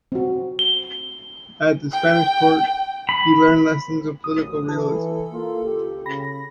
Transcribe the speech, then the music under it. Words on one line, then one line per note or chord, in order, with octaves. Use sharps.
At the Spanish court, he learned lessons of political realism.
C4 F#4
G7
G5
B5
A1 F#2 D#6
E3 A4
A#3 F4
C#2 G4
C#3 B5 A#6